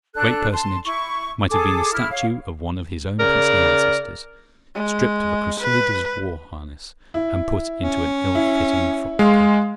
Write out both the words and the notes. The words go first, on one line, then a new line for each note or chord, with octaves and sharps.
The great Personage might have been the statue of one of his own princely ancestors stripped of a crusader's war harness, and put into an ill-fitting frock coat.
D4 A4 F#6
A5 C6
E4 C#6
G#4 A4 D6
E4 F6
C#5 F5
C#3 A#4 D5
G#3
B4
E4
C#4
E4
G#3 F5 C6